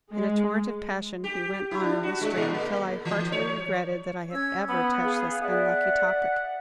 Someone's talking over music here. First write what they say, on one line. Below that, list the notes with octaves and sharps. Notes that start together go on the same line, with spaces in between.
In a torrent of passion, he went on in this strain, till I heartily regretted that I had ever touched this unlucky topic.
G#3
G4
E4
D4
F#4
G#3
A#2
A#3
E3
C#5
C#4 E6 G#6
B3 B5
G#4 F5
D5 E5 F#5